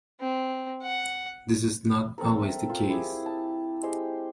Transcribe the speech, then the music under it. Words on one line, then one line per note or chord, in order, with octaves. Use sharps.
This is not "always" the case.
C4
F#5
C4 A4 A#4
E5
F4 C5
E4 G4 G#4
A5
G#3 G4 C5